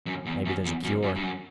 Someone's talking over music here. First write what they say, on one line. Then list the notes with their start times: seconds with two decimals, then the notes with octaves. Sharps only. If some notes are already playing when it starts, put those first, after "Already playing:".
Maybe there's a cure.
0.06 F#2
0.26 E2
0.45 F#2
0.64 E2
0.84 F#2
1.03 F#2
1.15 G2
1.23 F#2